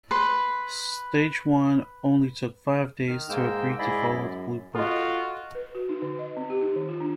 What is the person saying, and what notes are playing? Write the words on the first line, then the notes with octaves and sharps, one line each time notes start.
Stage I only took five days to agree to follow the Blue Book.
B4 C6
D#3 F6
G#2 G#3 A#3 G5 E6
G#2 E4 G#4 D5 D#5 B5
F#2
F4 F#4 A4 D#5
B4
F#4
D#4
D3
D#5
C4
G4
D#4
D#3
F4
D4